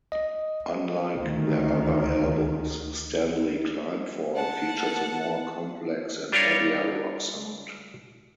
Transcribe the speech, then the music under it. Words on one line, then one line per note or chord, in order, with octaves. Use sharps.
Unlike their other albums, "Stanley Climbfall" features a more complex and heavier rock sound.
D#5
D2 D#3
F#5 A5
G3 D4 F4 G4 A#4 C#5